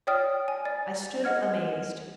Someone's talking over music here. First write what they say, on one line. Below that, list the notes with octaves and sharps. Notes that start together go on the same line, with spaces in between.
I stood amazed.
C#5 D5 G5 D#6 F6
G#5
D5
D#5 F#5 F6 G#6